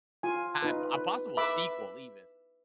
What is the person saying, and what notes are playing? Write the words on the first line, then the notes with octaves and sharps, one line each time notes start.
had a possible sequel even,
F4 G#5
D#4 F4 B4
B4
B4 E5 B5 D6